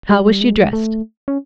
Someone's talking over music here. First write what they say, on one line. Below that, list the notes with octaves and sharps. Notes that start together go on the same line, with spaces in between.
"How was she dressed?"
G3
G#3
A3
C#4